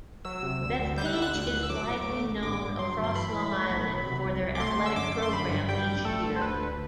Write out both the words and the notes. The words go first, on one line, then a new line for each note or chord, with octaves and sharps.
Bethpage is widely known across Long Island for their athletic program each year.
F#3 E6
C3
D2
D2
G3 G6
F#6
D3 E6
F#6
D2 F#6
D2
E6
F#3 D6
A2
A3
A1
D3 D6
G2
F#3 C6
G1
C6
E3 B5
A2
A3
B1
F#3
C3
C2
C2
D6
A3 C6
D3
E6
F#2 D6
F#2 D6
C6
D3 B5
G2
G3 G5
A1
A3 A4
D3
C5
D2 B4
D2